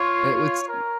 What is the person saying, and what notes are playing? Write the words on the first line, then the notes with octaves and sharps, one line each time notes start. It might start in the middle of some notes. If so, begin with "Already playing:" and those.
It was
Already playing: F4 C#5
A#4